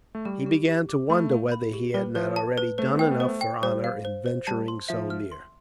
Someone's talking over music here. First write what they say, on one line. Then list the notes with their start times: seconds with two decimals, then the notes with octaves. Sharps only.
He began to wonder whether he had not already done enough for honour in venturing so near.
0.15 A3
0.25 G3 G4
0.46 G4
0.68 G4
0.89 D6
1.10 A3 B5
1.31 F5
1.52 B5
1.73 G4
1.94 G3 B4
2.15 F3 B4
2.36 A5
2.58 B4
2.78 A3 C5
2.87 B3
2.94 A3
2.99 B3 G5
3.11 A3
3.20 B3 C5
3.28 A3
3.41 G5
3.62 G3 C5
3.84 F5
4.05 C5
4.26 C5
4.47 G3 A5
4.68 C6
4.89 F3 E5
5.10 F6
5.32 C6